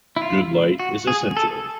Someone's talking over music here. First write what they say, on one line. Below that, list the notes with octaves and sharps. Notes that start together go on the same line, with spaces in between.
Good light is essential.
E4
F4
F#4
G#4
A4